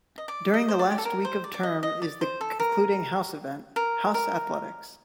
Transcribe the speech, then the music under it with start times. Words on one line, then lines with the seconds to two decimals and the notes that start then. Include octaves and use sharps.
During the last week of term is the concluding House Event, House Athletics.
0.18 D#5
0.28 D5
0.54 D#5
0.68 C5
0.79 D5
0.91 G4
0.98 A4
1.05 A#4
1.25 C5
1.44 D5
1.54 D5
1.63 D#5
1.83 D#5
2.02 D5
2.21 C5
2.41 A4
2.60 A#4
3.76 A#4
4.14 A#4